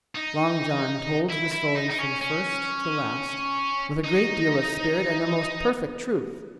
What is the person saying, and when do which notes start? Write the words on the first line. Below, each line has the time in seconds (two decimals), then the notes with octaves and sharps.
Long John told the story from first to last, with a great deal of spirit and the most perfect truth.
0.15 D#4
1.29 E4
1.52 E4
1.75 D#4
1.90 D#4
1.98 C#4
2.21 C#4
4.04 D#4